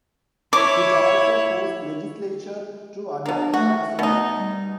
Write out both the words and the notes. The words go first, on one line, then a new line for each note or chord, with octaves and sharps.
It also forced legislature to adopt the Maximum.
E4 C#5 D6
B2 A#3 D4
A3 F#4
B2 D#4
G3